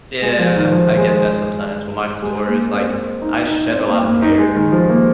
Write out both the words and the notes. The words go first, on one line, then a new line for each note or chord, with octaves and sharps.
Yeah, I get that sometimes, when my floor is like I shed a lot of hair.
G#3
F3
D#3
F3
G#3
G#3
A#3
C4
D#4
D#4
C4
A#3
A#3
D#4
G#3
D#3
F3
A#3